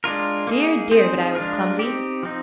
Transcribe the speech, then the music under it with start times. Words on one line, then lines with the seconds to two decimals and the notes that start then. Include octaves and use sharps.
Dear, dear, but I was clumsy!
0.04 G#3 D4 F4 A#4
0.47 A#3 D#4 G#4
0.91 C4 D#4 G#4 C5
1.35 G#3 D4 F4 A#4
1.79 C4 D#4 G4
2.23 F3 C4 D#4